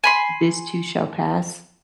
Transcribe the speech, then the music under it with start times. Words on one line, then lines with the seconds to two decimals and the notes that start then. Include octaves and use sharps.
this too shall pass.
0.04 G#5 B5 C6